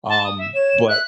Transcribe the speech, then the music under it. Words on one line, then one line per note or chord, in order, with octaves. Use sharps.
Um, but
A5
D#6
E5
C#5 E7
E5 F#6